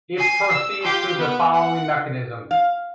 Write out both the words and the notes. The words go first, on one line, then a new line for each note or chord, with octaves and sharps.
It proceeds through the following mechanism.
G#5 C7
E6
F4 G4
B3
F#5
F5